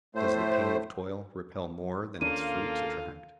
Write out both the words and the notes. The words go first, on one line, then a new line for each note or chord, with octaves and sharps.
Does the pain of toil repel more than its fruits attract?
A2 A3 C5
D#2 A#3 C#4 D4 F4 A4 D#7